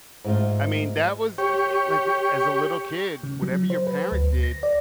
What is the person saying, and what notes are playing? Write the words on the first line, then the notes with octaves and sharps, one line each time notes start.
I mean, that was, i eh, like, as a little kid, whatever your parent did,
G#2 A3 F4
G4 C#5
C#3
F#3
C5
B4
D2
A#6
D5